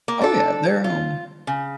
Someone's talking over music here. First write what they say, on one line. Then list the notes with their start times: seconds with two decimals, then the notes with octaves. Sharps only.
Oh, yeah, they're, um,
0.08 A#3
0.22 D4 A4
0.84 F4
1.47 C#3